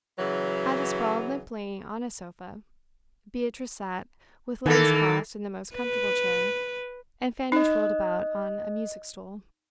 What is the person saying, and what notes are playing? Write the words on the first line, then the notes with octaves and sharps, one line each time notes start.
Ada sprawled limply on a sofa; Beatrice sat with legs crossed in the most comfortable chair; and Fanny twirled about on a music stool.
C#3 E3 F#3
D#3 E3 A#3 A4
B4
D#4 D#5 F#6